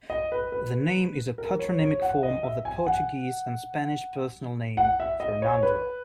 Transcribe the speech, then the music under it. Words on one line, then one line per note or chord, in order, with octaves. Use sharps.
The name is a patronymic form of the Portuguese and Spanish personal name "Fernando".
D#5
B4
B4
A#4
C#5
C#5
F#5
D#5
E5
G#5
F#5
F#5
E5
D#5
C#5
B4